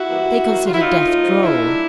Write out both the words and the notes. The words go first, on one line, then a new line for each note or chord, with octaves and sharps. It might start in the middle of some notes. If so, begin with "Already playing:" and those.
They considered death droll.
Already playing: E4 F#4
E3 G3 A#3
C3
D#3 F#3 A#3
C#3 F4
E4
F#3 D#4 F4
A#3
A2
F3 G#3
C#3 D4 E4
F#3 A3